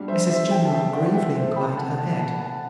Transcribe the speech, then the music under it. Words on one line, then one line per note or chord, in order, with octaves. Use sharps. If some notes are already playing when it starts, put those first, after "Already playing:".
Mrs General gravely inclined her head.
Already playing: B2 G3 D4
C5 E5
C5 E5
E5 G5
A5
E5 G5
D5 F#5
E5 G5
A4 C5
C2 B2 A3 G5 B5
F#5 A5
F#5 A5
F#5 A5
F#5 A5